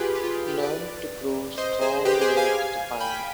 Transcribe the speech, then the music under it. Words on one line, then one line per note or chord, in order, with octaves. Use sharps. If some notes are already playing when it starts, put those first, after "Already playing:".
Learn to grow strong like the pine.
Already playing: F4 G4 G#4 B4
G4 B4
F4
G4
G4
B4 D5
C5 D#5
G#4 C5
G4 B4
G#4 C5
F5 G#5
G5 B5